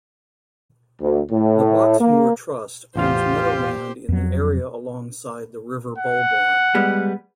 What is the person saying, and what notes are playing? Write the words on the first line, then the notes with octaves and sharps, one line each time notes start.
The Box Moor Trust owns meadow land in the area alongside the River Bulbourne.
D2
A2
A#3
A1 E2 F4 G4 C5 F5
F2 F#3
F#5
G3 G#3 B3